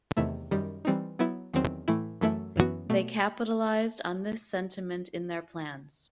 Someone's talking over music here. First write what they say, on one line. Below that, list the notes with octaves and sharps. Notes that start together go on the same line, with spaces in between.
They capitalized on this sentiment in their plans.
E2 C3 D#3 A3 E4
F#2 D#3 G3
E3 G3 C4 D#4
F#3 B3 E4
E2 D#3 F#3 C4
A2 E3 A3 E4
F#2 E3 A3 E4
F#2 E3 B3 F#4
B2 A3